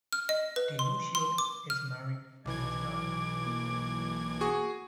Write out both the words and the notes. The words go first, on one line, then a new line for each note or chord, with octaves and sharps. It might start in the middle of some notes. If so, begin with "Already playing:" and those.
DiLucchio is married and has a daughter.
F6
D#5
B4
C6
C6
D6
F6
B1 E3 D6 G#6
A#3
F#4 G#4 C#6